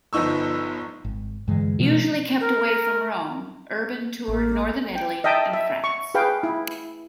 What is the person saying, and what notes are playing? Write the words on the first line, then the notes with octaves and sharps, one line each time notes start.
Usually kept away from Rome, Urban toured northern Italy and France.
G1 F3 B3 D#4 C#6 E6
G#1
G2 D3 E3 G#3
B2 E3 F3 A3
A#4
A1 A#3
G5
D#5 E5 G5 A5
E5
C#6
G#4 B4 F5 G5
E4